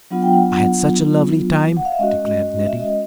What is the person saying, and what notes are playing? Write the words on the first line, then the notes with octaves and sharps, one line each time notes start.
"I had such a lovely time," declared Nettie.
F#3 B3 D4 F4 F#5
G5
F#5
F#5
F5
E5
G#3 C#4 F#4 D#5
E5
D#5